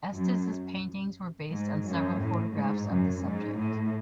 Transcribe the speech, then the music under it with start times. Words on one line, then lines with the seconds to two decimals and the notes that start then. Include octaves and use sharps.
Estes's paintings were based on several photographs of the subject.
0.13 F#2
1.51 G#2
1.86 F#2
2.20 A2
2.54 G#2
2.89 F#2
3.23 G#2
3.58 A2